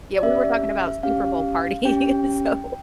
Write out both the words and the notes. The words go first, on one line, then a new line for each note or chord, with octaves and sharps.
Yeah, we were talking about Super Bowl parties, so,
D5
C#4 G4 E5
C#4 G4 F5
C#4 G4 G5